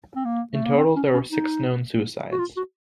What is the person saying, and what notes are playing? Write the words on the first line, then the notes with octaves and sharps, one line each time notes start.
In total there were six known suicides.
C4
A#3
A3
A#3
C4
C#4
C#4
D#4
F#4
F4
F#4